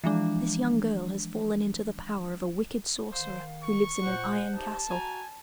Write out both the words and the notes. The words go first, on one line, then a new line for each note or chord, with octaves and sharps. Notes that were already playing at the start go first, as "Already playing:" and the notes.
This young girl has fallen into the power of a wicked sorcerer, who lives in an iron castle.
E3 F3 G#3 D4
D#3 C5 F5
C#6
A#2 C5 F#5
D#4 G4 A5
F#4 G#5 A#5